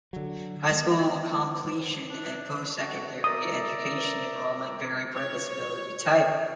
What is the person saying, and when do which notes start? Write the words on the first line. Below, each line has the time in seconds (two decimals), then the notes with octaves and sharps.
High school completion and postsecondary education enrollment vary per disability type.
0.13 D3 F#3
0.71 G#3 A3 B3
2.09 D4
2.80 F#4 A5
3.24 A#4 D5 E5 D#6
5.14 C#5